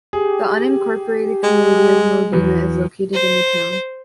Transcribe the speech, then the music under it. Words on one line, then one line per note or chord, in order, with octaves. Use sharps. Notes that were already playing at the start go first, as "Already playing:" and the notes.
The unincorporated community of Modena is located in the town.
G4 G#4
G#3
E2 F#3 B3
C5